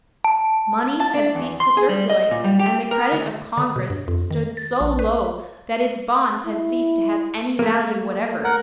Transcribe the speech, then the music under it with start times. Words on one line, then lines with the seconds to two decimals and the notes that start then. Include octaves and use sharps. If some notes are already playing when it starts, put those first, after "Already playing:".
Money had ceased to circulate, and the credit of Congress stood so low that its bonds had ceased to have any value whatever.
0.24 A5
1.00 A5
1.14 D4
1.35 E2
1.60 C6
1.77 G#4
1.89 G3
2.09 D#5
2.31 A#2
2.44 G3
2.59 G4
2.91 A#4
3.12 D2
3.57 D3
3.76 B2
3.90 G2
4.08 F2
4.31 D#3
4.57 A6
4.81 A#1
4.99 B4
6.46 E4
7.59 A3 A#3
8.44 A#4 F#5